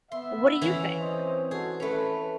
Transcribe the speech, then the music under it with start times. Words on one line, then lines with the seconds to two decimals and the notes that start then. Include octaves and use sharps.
What do you think?
0.12 B3 E5 C6
0.62 E3 C#4 F5
1.00 C4 C5 D#5
1.51 F#4 G#4 A4
1.80 A3 C#4 B4